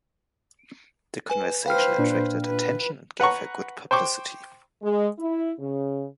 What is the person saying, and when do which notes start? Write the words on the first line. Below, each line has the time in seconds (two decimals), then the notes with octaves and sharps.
The conversion attracted attention and gave her good publicity.
1.30 B4 G#5
1.66 B4 C5 F5 G5 F6
1.98 A#2 D4
2.44 B4
3.20 B4 F#5 A#5 C#6
3.91 C5 G5 C#6 D6
4.83 G#3
5.18 E4
5.59 C#3